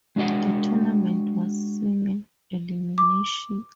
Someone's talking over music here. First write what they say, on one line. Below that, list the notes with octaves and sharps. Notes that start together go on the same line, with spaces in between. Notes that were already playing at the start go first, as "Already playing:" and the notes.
The tournament was single-elimination.
G#3 D4 F#4 D#5 F#5
D6